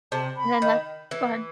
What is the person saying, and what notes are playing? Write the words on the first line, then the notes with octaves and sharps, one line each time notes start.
And then that go ahead.
C3 A5
B5
D#3
E3